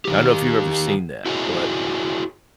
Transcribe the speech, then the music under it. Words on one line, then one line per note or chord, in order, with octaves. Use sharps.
I don't know if you've ever seen that, but
D#3 E3 G4
E4 F#4 G#4 C#5 D#5